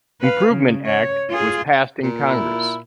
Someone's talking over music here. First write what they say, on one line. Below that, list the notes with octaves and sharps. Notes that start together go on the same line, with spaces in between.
Improvement Act was passed in Congress.
B4 F5
C#3
C#5
F4 G#4
A#2
E4